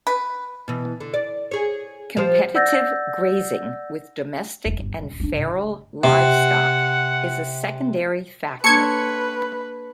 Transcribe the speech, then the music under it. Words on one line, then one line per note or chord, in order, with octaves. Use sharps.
Competitive grazing with domestic and feral livestock is a secondary factor.
B4
B2 E3
D3
D5
G#4 C#5
F3 G4 C5
D5 F#5 E6 G6 A6 A#6
D#1
G1
D#1 A#1
B3 D4
A2 C#3
C3 F#5
A#3 D4 A4 B4 C#5 C6 G#6 C#7